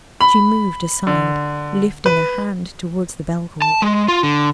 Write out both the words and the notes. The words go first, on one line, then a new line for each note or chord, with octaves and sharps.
She moved aside, lifting a hand toward the bell-cord.
B5
D3
B4
A5
G#3
F4
D3